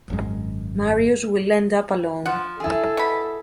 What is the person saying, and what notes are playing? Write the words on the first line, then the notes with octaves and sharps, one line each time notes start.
Marius will end up alone.
G#1 F#2 B2 G#3
F3 F#5
E4 G#4 A4
B2 B5